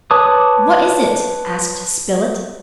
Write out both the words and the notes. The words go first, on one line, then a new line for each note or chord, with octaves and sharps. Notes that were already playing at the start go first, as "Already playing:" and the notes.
"What is it?" asked Spilett.
B4 C#5 A5 D6 D#6